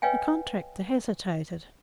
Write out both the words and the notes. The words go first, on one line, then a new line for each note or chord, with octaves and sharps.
The contractor hesitated.
B4 C#5 D#5 F5 G5 G#5